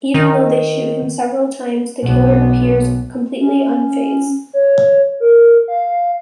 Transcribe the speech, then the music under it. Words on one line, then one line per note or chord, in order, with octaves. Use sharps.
Even though they shoot him several times, the killer appears completely unfazed.
D#3
B1 B3
C#4
C#5
A#4
F5